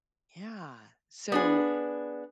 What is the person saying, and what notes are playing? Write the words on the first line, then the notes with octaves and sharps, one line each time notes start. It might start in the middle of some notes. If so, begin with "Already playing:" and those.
Yeah, so,
B3 D4 G#4